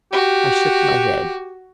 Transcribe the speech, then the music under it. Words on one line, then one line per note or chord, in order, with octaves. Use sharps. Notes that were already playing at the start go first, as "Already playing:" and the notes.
I shook my head.
F#4 G4